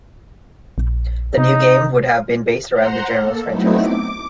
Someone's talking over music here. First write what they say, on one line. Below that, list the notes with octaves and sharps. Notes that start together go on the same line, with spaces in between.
The new game would have been based around the "Generals" franchise.
A#1
C3 D#4
C5 F#5 A#5 C6
A#3 A4
F#3 A3 B3 C4 D#4 E4
D6